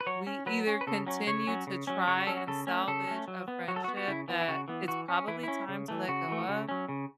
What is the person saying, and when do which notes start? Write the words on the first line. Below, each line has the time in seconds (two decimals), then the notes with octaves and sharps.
we either continue to try and salvage a friendship that it's probably time to let go of,
0.01 B4
0.07 F#3 C#5
0.27 C#4
0.46 F#3 B4
0.67 C#4
0.81 B4
0.87 C#3 A4
1.07 F#3 C#4
1.27 C#3 C#5
1.47 F#3 C#4
1.67 C#3
1.87 F#3 C#4
2.07 C#3 C#5
2.17 F#4
2.27 F#3 C#4 A4
2.37 F#4
2.47 C#3 A4
2.67 A3 C#4
2.88 C#3 A4
3.07 A3 C#4
3.28 F#3
3.48 B3
3.68 F#3 F#4
3.76 A4
3.84 F#4
3.88 B3
3.97 F#4
4.08 C#3 E4
4.28 E3 B3
4.41 E4
4.48 C#3 F#4
4.68 E3 B3
4.88 E3 F#4
5.08 C#4
5.28 E3 E4
5.43 C#4 E4
5.68 C#3
5.88 E3 A3
6.08 C#3 F#4
6.28 E3 A3
6.48 C#3
6.69 F#3 C#4
6.89 C#3